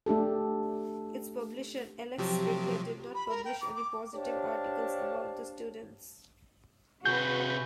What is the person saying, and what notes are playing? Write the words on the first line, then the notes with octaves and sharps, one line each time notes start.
Its publisher, Axel Springer, did not publish any positive articles about the students.
A3 D4 G4 A4
C3 F3 F#3 G4
B5
A#4
G5
D6
D6
D4 G4 C5 C#5 F5 A5
C3 F#4 G#4 B4 G6